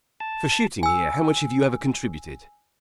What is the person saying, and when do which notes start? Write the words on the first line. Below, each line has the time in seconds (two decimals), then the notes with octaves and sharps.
"For shooting here, how much have you ever contributed?"
0.20 A5
0.83 G#5 E6